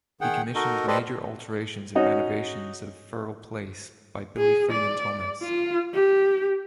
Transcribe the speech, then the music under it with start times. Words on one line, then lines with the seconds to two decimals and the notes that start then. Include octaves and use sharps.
He commissioned major alterations and renovations of Firle Place by Billy Freeman Thomas.
0.21 D#3 G#4 F#5 G5
0.55 D#4 F#4 A4 A#4 D#5
0.87 G4 A4 B4 C5 D5 D#5
1.95 C#4 D#4 F#4
4.37 G#4
4.71 D5
5.42 F4
5.94 G4